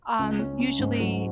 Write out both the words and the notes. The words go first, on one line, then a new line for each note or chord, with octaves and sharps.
um, usually
C#2
C#4
C#4
G#2
F#3